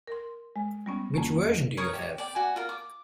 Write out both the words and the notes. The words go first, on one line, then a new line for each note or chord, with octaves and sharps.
Which version do you have?
A#4 C6
G#3
G3 B3 C#4
F2 A#3 C#4
A#4 C#5 C#6 D#6
G4 C#5
D5 G5
F#4 G#5
F4 A#4
D6